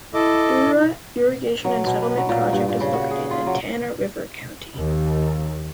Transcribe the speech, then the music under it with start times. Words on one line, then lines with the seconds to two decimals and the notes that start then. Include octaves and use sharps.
Bura Irrigation and Settlement Project is located in Tana River County.
0.14 E4 A4 D#5 D6
1.64 F#3
1.86 B2
2.02 B4
2.17 F#3
2.29 A#2
2.53 G2
2.69 A#2
2.81 C#3
2.93 F#4
3.11 G#4
3.31 F4
3.47 F#3
4.75 D#2